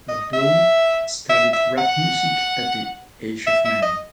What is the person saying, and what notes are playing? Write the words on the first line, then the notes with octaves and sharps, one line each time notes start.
Abdul started rap music at the age of nine.
D#5
E5
E5
E5
F#5
E5
E5
D#5